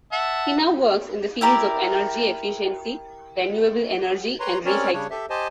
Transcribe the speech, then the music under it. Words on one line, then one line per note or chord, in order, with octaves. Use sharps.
He now works in the fields of energy efficiency, renewable energy and recycling.
E5 F#5 A5
E4 G4 A#4 D5
B4 C#5 A#5 C6
C4 C#4 A#4 C#5 D5
C#3 G3 D4 C#5
G4 A4 E5
G4 C5 D#5 G#5 A5